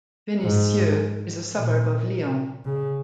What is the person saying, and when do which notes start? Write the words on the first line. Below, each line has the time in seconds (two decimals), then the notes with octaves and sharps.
Venissieux is a suburb of Lyon.
0.42 G#2
1.54 A#2
2.65 C#3